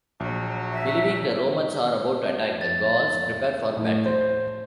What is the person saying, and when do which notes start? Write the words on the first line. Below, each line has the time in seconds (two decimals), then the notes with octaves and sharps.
Believing the Romans are about to attack, the Gauls prepare for battle.
0.20 A#1 F#3
0.73 E5
2.61 F2 A6
3.77 A2
4.06 C5